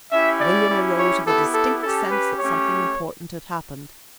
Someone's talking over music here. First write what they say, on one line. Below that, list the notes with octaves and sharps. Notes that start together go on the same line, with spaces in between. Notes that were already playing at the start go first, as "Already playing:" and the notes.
William arose with a distinct sense that something important had happened.
C#4 E4 G4 E5
D5
C#4 E4 G4
C#5
B3 E4 G4 A4
A4
C#4 G4 A4
B4
A3 C#4 G4 C#5